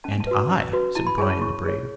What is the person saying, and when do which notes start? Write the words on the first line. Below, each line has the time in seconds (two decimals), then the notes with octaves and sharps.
"And I," said Brian the Brave.
0.04 C#4 A5
0.12 G#5
0.20 A5
0.27 F#4 B4
0.51 C#4
0.73 F#4 B4
0.95 E4 A5
1.07 B5
1.18 G#4 C#5 G#5
1.30 A5
1.41 E4 C#6
1.65 G#4 C#5